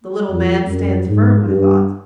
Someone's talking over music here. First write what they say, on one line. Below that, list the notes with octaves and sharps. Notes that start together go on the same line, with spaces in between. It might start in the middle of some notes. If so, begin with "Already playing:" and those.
The little man stands firm, I thought.
F2
F#2
G#2
G2